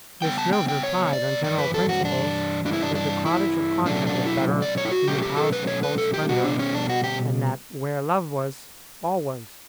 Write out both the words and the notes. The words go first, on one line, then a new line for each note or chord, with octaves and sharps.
Miss Mills replied, on general principles, that the Cottage of content was better than the Palace of cold splendour, and that where love was, all was.
C#3 G3 B3 G5
A5
G5
G5
C#5
D5
G2 E3 D5
B4
A4
F#4
D4
G2 E3 G3 D4
E4
D4
D4
E4
B2 F#3 A3 C#4 D4
D4
E4
D5
C#5
E4
F#4
B2 F#3 A3 C#4 G4
F#4
G4
A4
B4
C#5
B4
A4
G4
B2 G3 B3 F#4
D4
C#4
D4
F#4
G4